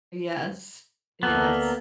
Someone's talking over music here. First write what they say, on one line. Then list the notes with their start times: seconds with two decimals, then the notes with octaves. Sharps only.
Yes. Yes.
1.23 D2 A#3 B3 A4 A#5